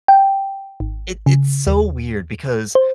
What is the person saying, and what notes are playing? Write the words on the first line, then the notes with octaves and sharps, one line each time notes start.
It it's so weird because,
G5
G#1
C#3
D#2
C5